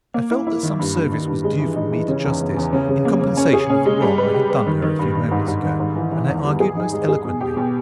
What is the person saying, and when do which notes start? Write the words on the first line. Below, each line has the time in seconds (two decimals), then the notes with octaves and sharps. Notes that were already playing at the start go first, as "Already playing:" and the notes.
I felt that some service was due from me to Justice, in compensation of the wrong I had done her a few moments ago, and I argued most eloquently.
0.14 A#3
0.31 E4
0.47 E4
0.63 D#3
0.79 G2
0.95 G2
1.11 D#3
1.28 G2
1.44 G#3
1.60 E3
1.76 D#4
1.92 E3
2.08 C#3
2.24 E2
2.41 E2
2.57 E2
2.73 C#3
2.89 C#3
3.05 A#3
3.21 C#3
3.37 C#4
3.53 G#4
3.70 C#4
3.85 G#3
4.02 G3
4.18 B4
4.34 G4
4.50 B4
4.66 D#3
4.82 D#3
4.99 G2
5.15 D#3
5.31 G#2
5.48 G#2
5.63 D#3
5.80 G#2
5.96 E3
6.12 E3
6.28 E2
6.44 G3
6.60 G#4
6.76 D#4
6.93 G#3
7.09 G#4
7.25 B2
7.41 G4
7.57 B2